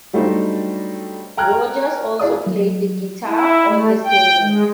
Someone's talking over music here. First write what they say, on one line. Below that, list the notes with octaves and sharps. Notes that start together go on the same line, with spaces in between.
Rodgers also played the guitar on the single.
F#3 G3 A3 D4 D#4 C5
G5 A#5 F6 F#6 G#6
E4 G#4 D5 D#6
F#3
E4
A3
G5
G#3